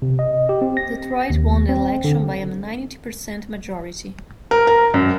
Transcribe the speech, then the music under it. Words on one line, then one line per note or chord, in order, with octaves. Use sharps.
Detroit won the election by a ninety percent majority.
C3
D#5
G4
C4
A#6
D#2
C4
D3
A#4
A#4
F#2